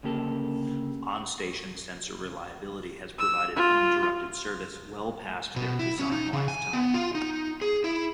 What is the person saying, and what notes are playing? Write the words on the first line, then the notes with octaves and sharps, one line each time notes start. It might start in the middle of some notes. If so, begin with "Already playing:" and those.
On-station sensor reliability has provided uninterrupted service well past their design lifetime.
D2 C#3 A#3 G4 A4
E6
F4
B2
E4
C#4
D#4
C#3
G#5
B3
F4
D#4
G#4
E4